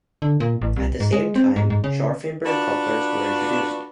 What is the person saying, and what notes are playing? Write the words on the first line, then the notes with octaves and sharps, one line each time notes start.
At the same time Scharfenberg couplers were introduced.
D3
A#2
A1
C2
G#2
G#3
C4
G#2
G#2
C#3
D4 F4 F#4 B4 D5